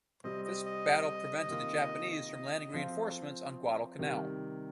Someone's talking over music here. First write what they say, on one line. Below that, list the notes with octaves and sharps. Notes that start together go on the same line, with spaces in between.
This battle prevented the Japanese from landing reinforcements on Guadalcanal.
C3 G3 C4 D#5
D#5
D#5
C3 D#3 A#3 F4
D#5
F3 C4 F4
C3 D#3 G3